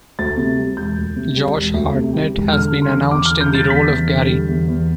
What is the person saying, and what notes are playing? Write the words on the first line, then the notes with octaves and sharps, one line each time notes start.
Josh Hartnett has been announced in the role of Gary.
D2 A6
C3
G3
E1 G6
D2
C3
G3
E1
D2
C3
G3
E1
D3 F6
G3
C6
E2
E2 D6
F6
D3
G6
G3 A6
E2 B6
E2
D3
G3
E2
E2